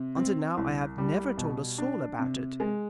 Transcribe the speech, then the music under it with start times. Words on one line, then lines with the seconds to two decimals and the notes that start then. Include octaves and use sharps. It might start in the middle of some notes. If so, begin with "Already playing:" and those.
Until now I have never told a soul about it.
Already playing: C3
0.17 C4
0.57 C2
0.98 G3
1.37 B2
1.78 D4
2.19 C3
2.60 G#3